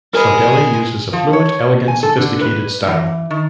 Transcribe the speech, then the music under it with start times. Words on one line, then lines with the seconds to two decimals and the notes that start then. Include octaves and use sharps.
Saudelli uses a fluent, elegant, sophisticated style.
0.13 G#3 G#4 A#4 B4
1.13 F3
1.33 C#5
1.88 G#5
2.03 A4
2.17 D3
2.41 B4
2.87 E3
3.30 D#3